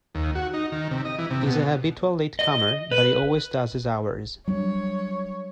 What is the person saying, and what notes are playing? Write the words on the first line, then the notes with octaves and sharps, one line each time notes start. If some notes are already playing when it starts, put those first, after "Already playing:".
He's a habitual latecomer, but he always does his hours.
D#2
F#4
D#4
D#3
C3
D#5
E3
C3
B2
D#5
B4
F#3 G3 D4 C#5